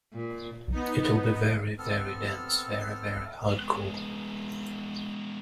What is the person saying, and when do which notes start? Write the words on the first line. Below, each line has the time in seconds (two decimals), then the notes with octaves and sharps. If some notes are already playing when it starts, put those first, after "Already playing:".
It'll be very very dense, very very hardcore.
0.13 A#2
0.72 B3 D#4
1.78 B3 C4 A4 F6
3.49 G#3 B3